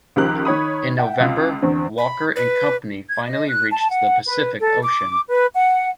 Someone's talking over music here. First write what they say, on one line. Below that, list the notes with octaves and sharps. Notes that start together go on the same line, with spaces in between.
In November, Walker and company finally reached the Pacific Ocean.
C#2 D#3 F3 G4 A#4 F#6
D#3 C#5 B5 D#6
E5 F#5 G5
C#2 F4
E2 D3 C4 D4
B5
B4
G#6
D#5
F#6
A5
F#5
B4
A4
D6
B4
F#5